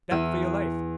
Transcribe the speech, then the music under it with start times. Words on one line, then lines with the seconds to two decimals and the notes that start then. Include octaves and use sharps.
"Back for your life!"
0.11 E2 E6 D#7